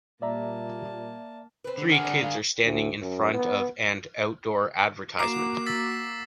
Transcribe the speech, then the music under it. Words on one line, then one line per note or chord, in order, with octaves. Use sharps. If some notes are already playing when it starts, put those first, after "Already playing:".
Three kids are standing in front of and outdoor advertisement.
A#2 G3 A#3 D5 E5 A5 A#5
C4 B4
D3
D#3 G#4 A#4 F5 F#5
G2 D5
F5
D2
F#2
B3
A#3 F#4 A#5 D6 C7 E7
E6 A6 B6